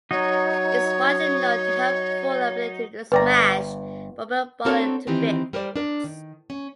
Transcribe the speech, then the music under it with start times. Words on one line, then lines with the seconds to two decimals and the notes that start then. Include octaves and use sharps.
Is widely known to have full ability to smash Robert Barlow to bits.
0.11 F#3 D#4 C#5
3.12 G1 B4 D5 G5 A#5
4.65 C4 D4 F#4 A4 A#4 C#5
5.07 D#3 E3 C4 D#4 G4
5.53 G3 A#4 C5 D5
5.76 D4 A#4
6.04 D#3
6.50 C#4